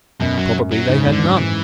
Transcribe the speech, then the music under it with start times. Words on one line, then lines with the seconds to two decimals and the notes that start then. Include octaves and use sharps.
Probably they had none.
0.20 F#2 B2
0.37 F#3
0.72 F#3
0.89 G#2 C#3
1.06 G#2
1.12 D3
1.24 G#2
1.35 E3